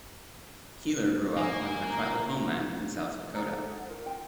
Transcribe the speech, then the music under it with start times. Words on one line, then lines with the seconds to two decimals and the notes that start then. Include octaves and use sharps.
Keeler grew up on her tribal homeland in South Dakota.
1.37 A#3 G#5
1.90 A#5
3.35 G#4 D5 A#5
3.50 A4
3.71 F#5
3.89 F4 A#4
4.06 F4 G5